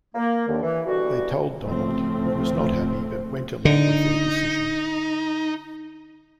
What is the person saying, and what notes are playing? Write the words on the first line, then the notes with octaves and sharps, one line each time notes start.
They told Donald, who was not happy, but went along with their decision.
A#3
D#2 D3 D#3
E3
B2 D3 E3 G3 F#4
C#2 A2 F3 A3 C4
D3 D#4